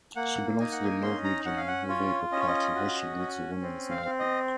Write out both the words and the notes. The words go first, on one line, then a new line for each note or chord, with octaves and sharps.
She belongs to the Norwegian Labour Party, where she leads the women's network.
A#3 F#5
D#4 G#5
F#5
G#5
C#4 C6
A#5
C#4 F#5
F5
F#5
F4 C#5
C#4 D#5
C#5
D#5
F#4
C#4
C4
F5
C4
D#5